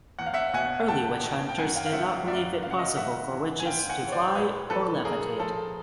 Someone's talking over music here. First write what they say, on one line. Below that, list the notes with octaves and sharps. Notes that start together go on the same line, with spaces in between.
Early witch hunters did not believe it possible for witches to fly or levitate.
E2 F#5
F5
E5 F#5
B2 F#5 G#5
E2 G5 A5
B2
G5
F#2 F#5 G#5
F5 G5
F5
C#3 F3 E5 F#5
F#2 D5 E5
C#3 F3 F5
F#5
D#5 F5
G#2 E5 F#5
E3
G#5
G#2 F5 G5
F#5 G#5
E3
C#5
C5 D5
A#2 B4 C#5
F3 A4 B4
A#2 G#4 A#4
F3 A4